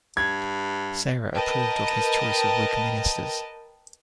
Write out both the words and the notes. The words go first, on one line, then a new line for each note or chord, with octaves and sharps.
Sarah approved of his choice of Whig ministers.
G2 G#6
A#4 B4 D#5 G5 A5